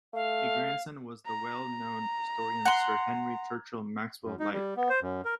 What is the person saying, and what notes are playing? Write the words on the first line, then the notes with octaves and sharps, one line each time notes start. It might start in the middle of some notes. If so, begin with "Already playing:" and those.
A grandson was the well known historian Sir Henry Churchill Maxwell-Lyte.
A3 F5
A#5
F#5 C6
F#2
D#4
G3
B3
C5
F#2
A#4